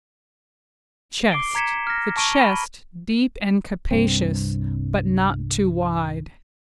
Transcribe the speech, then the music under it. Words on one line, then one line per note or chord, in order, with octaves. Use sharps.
CHEST--The chest, deep and capacious, but not too wide.
D6 C7 D7 G7
A#5 G#6 B6 C#7 E7
F6 A#6
A5 C#6 D7 D#7 G7
B5 D#7
C2 G2 C4